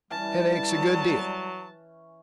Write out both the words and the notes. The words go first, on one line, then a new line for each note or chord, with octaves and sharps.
Head aches a good deal.
E3 G3 C#4 A5
F#3